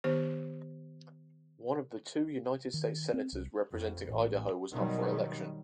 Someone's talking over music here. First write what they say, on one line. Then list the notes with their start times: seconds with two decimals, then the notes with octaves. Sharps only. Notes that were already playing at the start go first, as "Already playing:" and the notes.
One of the two United States Senators representing Idaho was up for election.
0.04 D#3 B3 G4 C5
2.74 D#3
3.14 C4
3.33 C2
3.71 F2
4.07 A1
4.73 B2 D#3 F#3 G3